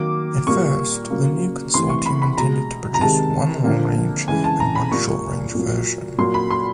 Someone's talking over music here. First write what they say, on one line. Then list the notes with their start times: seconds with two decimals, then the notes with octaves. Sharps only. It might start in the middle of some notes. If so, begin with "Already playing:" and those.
At first, the new consortium intended to produce one long-range and one short-range version.
Already playing: D#3 F#3 A#3 D6
0.47 A#2 G3 A#3 C#6
1.10 C#3 F#3 A#3
1.74 C3 E3 A3 C6
1.90 C#6
2.06 B5
2.22 B5
2.37 B2 G#3 A#5
2.94 A#5
3.01 C3 D#3 G#3 A5
3.64 D3 F3 A#3
4.28 C#3 E3 G#3 G#5
4.44 A5
4.60 A#5
4.75 B5
4.91 A#2 G3 A#3 C#6
5.55 A#2 F#3 A#3
6.18 A#2 F#3 A#3 C6
6.34 B5
6.51 C6